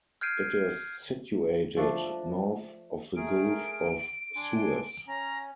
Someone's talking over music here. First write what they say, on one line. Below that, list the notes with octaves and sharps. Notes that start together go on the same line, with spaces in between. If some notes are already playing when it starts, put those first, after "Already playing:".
It is situated north of the Gulf of Suez.
F6 G6 G#6 C7 D7 D#7
F3 A3 D4
A3 G#4 A#4 D7
D4 G#5 C6
C#4 A#5